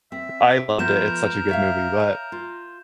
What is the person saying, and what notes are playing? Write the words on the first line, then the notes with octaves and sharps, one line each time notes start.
I loved it, it's such a good movie, but
C4 E5
F3 A3 B3 A#4 G6 E7
C#5 E5 F5
F4